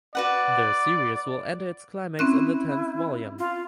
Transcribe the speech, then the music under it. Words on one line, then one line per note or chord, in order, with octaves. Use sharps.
The series will enter its climax in the tenth volume.
F#4 B4 D5 F#5
C4 C#4 E4 F#6
F4